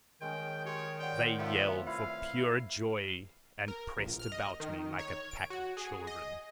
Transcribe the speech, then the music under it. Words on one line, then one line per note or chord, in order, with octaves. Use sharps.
They yelled for pure joy, and pressed about me like a pack of children.
D#3 G#3 C#4 G5
G4 C#5 C6
C#5 D5 F#5 G5
C3 A3 B3 F4
E4 B4 E5 F5
A#4
A#1
F6
D#5
D#3
C#5
D7
F#4
G#4
D#5